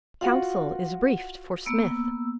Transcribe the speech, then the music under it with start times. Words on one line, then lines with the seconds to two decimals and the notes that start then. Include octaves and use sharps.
Counsel is briefed for Smith.
0.21 F4 F#4 F#5
1.65 A#3 B3 E6